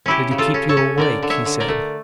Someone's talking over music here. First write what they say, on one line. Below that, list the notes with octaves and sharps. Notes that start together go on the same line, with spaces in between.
"Did it keep you awake?" he said.
C#4 E4 G4
C#3
F4 A4
C#4
A4 C#5
C#4
D3 A#4 D5
D3
C#5 E5
D3
A#4 D5
A3